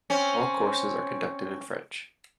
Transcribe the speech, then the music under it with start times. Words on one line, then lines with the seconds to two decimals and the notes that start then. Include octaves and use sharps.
All courses are conducted in French.
0.10 C4 C#4